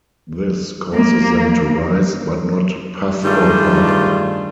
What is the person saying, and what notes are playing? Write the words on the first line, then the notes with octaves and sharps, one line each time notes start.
This causes them to rise, but not puff or pop.
A#3
G2 D#3 G3 A3 F4 G#4